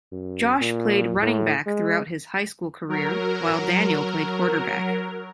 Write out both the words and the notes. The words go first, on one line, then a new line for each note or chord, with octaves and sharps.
Josh played running back throughout his high school career while Daniel played quarterback.
F#2
A#2
A2
G#3
F#3 A#4